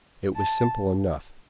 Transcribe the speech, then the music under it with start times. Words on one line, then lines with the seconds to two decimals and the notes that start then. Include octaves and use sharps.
It was simple enough.
0.36 A5